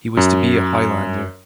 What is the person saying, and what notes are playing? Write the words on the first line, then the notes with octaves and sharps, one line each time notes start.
He was to be a Highlander.
F#2